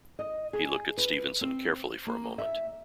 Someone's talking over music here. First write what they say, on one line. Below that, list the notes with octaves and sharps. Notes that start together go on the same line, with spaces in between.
He looked at Stevenson carefully for a moment.
D#5
G#4
B4
C4
A#3
E5